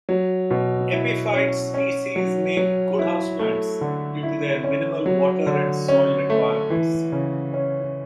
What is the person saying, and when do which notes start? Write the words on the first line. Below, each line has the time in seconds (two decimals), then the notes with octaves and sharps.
Epiphyte species make good houseplants due to their minimal water and soil requirements.
0.09 F#3
0.50 B2
0.92 E4
1.33 C#4
1.74 C#4
2.16 F#3
2.57 F#3
2.99 E4
3.39 A3
3.81 D3
4.23 E4
4.64 C#4
5.06 F#3
5.46 D3
5.88 C#4
6.30 A3
6.70 E3
7.12 C#3
7.54 C#4